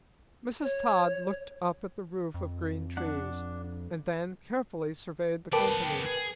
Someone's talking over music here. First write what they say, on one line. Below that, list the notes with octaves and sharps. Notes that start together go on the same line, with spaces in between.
Mrs. Todd looked up at the roof of green trees, and then carefully surveyed the company.
C#5
F2
D4 F#5
B3 A#4 B4 D5 G5 A5 D6
G#4